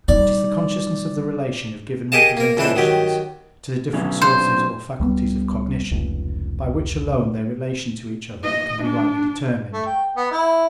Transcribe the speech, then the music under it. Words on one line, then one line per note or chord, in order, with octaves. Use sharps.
It is the consciousness of the relation of given representations to the different sources or faculties of cognition, by which alone their relation to each other can be rightly determined.
G3 D#4 D5
G4 G#4 A#4 D#5 F5 A5
A#3 A#4
C#2 E3 D4 A4 C5
D#3 F#3 G4
B2 F#3 C#4
C5
C#2 G3 B3
F1 C#2
D#5
D4
A3
G5
B3
E4